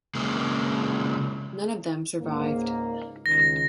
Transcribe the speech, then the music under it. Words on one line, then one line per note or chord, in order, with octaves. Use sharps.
None of them survived.
C#3 G#3 A#3
C#2 G#2 A#3
C#2 D#3 A#6